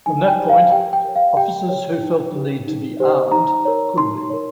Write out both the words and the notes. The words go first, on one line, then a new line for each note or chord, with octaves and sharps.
From that point, officers who felt the need to be armed, could be.
D#4 G#5
G5
G4 C5
F5
G4 G5
G5
A#4 C#5
F5
G4 G5
C#5
D#4
G4 C#5
D#4
G4 C5
D#4 A#5
A#4 C#5
D#4 C6
A#4 C#5